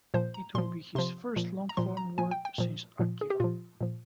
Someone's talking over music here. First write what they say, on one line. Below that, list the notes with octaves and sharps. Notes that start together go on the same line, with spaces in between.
It will be his first long-form work since "Akira".
A#2 F3 C5
A#5
A#2 F3 C6
C3 F3 C6
A#2 F3
A#5
A#2 F3 C6
A#5
A#2 F3 G#5
G5
G5
A#2 F3
A#2 F3
G#4
G4
A#2 F3 F4
A#2 F3